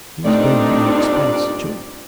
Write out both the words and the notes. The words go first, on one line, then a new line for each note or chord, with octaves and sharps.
He's been an expense too.'
G2 A#2 A3 C4 D4 D#4 D5